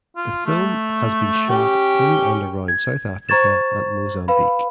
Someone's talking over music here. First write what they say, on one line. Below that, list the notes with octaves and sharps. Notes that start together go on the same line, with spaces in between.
The film has been shot in and around South Africa and Mozambique.
F4
A3
C#4 G4
G#6
C5 A#5 C#6 G#6 A6 E7
B4 F5 B5